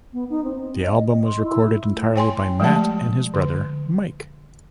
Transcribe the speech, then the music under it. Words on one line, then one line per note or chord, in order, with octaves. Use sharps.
The album was recorded entirely by Matt and his brother, Mike.
B3
D#4
C4
D#5
D#5
C6
E4
A3
C#5 G5 G#5 C6
F3 G#3 A3 G4 A5
D3